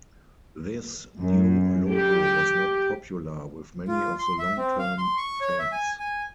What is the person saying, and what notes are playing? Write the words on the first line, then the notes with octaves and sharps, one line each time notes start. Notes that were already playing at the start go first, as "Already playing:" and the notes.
This new logo was not popular with many of the long-term fans.
F#2
G4
F4
C6
E5
C4
F5
C6
C#6
C#5
E5
G#5
G#5